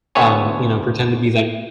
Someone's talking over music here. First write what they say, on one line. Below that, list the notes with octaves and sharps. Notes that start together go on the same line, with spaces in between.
um, you know pretend to be that uh
D2 B3 A4 C#5 G#5